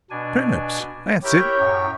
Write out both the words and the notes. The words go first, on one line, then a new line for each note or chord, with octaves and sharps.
Turnips! that's it!
B2 D4 G#5
E4 G4 A#4 C#5 G5
F#2 A2